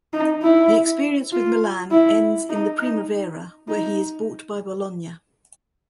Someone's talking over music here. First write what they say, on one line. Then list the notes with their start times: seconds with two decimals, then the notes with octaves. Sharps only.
The experience with Milan ends in the Primavera where he is bought by Bologna.
0.13 D#4
0.43 E4
1.32 F4
1.91 E4
2.50 D#4
2.80 D#4
3.68 D#4